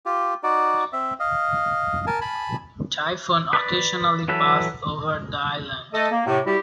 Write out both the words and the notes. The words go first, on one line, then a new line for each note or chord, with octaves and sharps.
Typhoons occasionally pass over the island.
F4 G4
D#4 F#4 D5
C4 E5
D#5 F5
A#4 G#5 A5
G#5 A5 B5
B4 D5
E3 F#3 A4 B4
A3 A4 D#5
A#3
A2 C3
G3 E4 F#4 G4